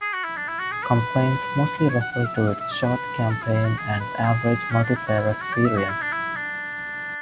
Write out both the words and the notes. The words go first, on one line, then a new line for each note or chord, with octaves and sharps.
Complaints mostly refer to its short campaign and average multiplayer experience.
G#4
F#4
E4
D4
E4
F#4
G#4
B4
B4
C#5
F#5
F#5
E5
F#5
E5
E5
D5
B4
A4
E4
E4
F#4
G#4
B4
G#4
C#4
D4
E4
F#4
E4
E4
F#4
D5
E5
F#4
E4
D4
E4
D4